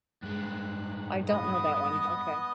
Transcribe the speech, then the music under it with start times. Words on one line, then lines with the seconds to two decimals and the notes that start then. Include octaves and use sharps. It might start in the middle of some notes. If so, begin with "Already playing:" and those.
I don't know that one, okay.
0.22 G2 G#3 F#6
1.27 B3 D#5 D#6